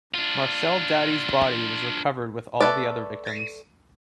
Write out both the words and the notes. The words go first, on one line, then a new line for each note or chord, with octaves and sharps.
Marcel Dadi's body was recovered with all the other victims.
D4 F4
A3 D4 A4 B4 D5